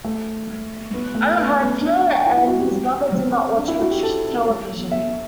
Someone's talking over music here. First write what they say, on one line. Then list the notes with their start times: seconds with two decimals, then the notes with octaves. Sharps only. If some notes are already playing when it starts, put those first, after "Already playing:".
Alejandro and his brother did not watch much television.
0.05 A3
0.94 B3
1.15 A3
1.38 B3
1.60 B3
1.81 D4
2.26 E4
2.36 E4
2.48 F#4
2.59 G4
3.14 C4
3.57 D4
3.68 E4
3.79 F#4
3.91 G4
4.03 A4
4.92 E5